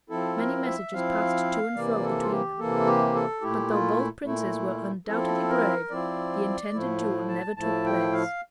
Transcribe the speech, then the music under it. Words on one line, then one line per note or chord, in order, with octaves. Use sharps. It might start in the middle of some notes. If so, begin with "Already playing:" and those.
Many messages passed to and fro between them; but though both princes were undoubtedly brave, the intended duel never took place.
F3 C4 E4 A4
A#4
E5
F3 C4 E4 F5
C3 E3 A#3 D5
A4
F4
G4
C3 E3 A#3 A4
G4
A4
A#2 A3 E4 G4
F4
A#2 A3 E4
F3 C4 E4 A4
A#4
F3 C4 E4 D5
A2 F3 A3 E4
A5
A2 F3 A3 E4 A5
G5
F5